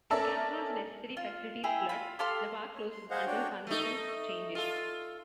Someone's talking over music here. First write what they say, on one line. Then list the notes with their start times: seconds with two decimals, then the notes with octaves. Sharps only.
When campgrounds and necessary facilities flood, the park closes until conditions changes.
0.11 C#4 A4 A#4 D5 E5 A5
1.17 F4
1.64 E4 G4 G#4
1.89 F4 B5
2.19 G4 A4 F5 C6
2.75 C#5
2.91 C6
3.10 G#4 C5 D#5 F5 F#5
3.26 D4 F#4 C#5 G5
3.67 A3 D#4
4.55 F4 A4